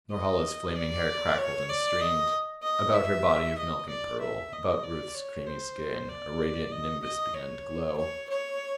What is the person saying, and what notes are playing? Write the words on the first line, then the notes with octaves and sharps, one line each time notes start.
Norhala's flaming hair crackled and streamed; about her body of milk and pearl--about Ruth's creamy skin--a radiant nimbus began to glow.
D#5
D5
C#5
D5
D#5
D#5
E5
D#5
D5
E5
D#5
D5
C#5
C5
D5
D#5
D#5
C#5
C#5
C#5